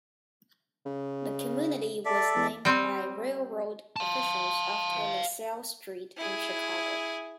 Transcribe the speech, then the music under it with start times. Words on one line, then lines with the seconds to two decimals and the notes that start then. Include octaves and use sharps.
The community was named by railroad officials after LaSalle Street in Chicago.
0.86 C#3
2.05 A4 D5 E5
2.36 E2
2.65 G3 C4
3.96 F5 A5
6.17 E4 G#4